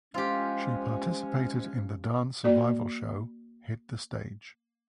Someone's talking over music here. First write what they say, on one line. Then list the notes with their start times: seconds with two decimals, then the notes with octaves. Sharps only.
She participated in the dance survival show "Hit the Stage".
0.14 F3 G#3 C#4 F4 G4
2.44 A#3 F#4 D5